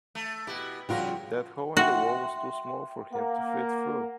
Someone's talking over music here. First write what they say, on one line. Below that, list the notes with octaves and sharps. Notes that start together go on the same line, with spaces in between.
That hole in the wall was too small for him to fit through.
A3
B2 E4 G4
C#3 F3 G3 F4 F#4 A#4 F#5 G5
F#4 E5 G5 C6
A#3 F#5